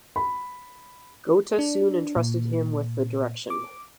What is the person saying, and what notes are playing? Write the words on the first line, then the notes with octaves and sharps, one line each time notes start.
Goethe soon entrusted him with the direction.
B5
D4
A#2
D6